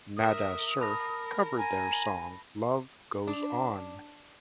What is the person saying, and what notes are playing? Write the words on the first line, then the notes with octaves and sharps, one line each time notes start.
Nada Surf covered their song Love Goes On!
A#4 E5 D#6
A#4 A5 B5 A#6
G#5 A#5
D4